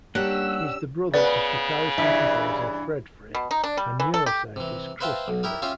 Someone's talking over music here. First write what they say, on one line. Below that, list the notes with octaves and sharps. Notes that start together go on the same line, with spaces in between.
He is the brother of guitarist and composer Fred Frith and neuroscientist Chris Frith.
G3 A#3 C#4 D4 G4 F#5 E6
C#3 B3 B4 D5
G2 E3 E4
B2
D#4
D4
G3
E3
A4
G4
C3 E3
B4 C5 E5 F5 G5 A5
B1
E4 G4 A#4 D#6
C#4 F4 G4 E5 F5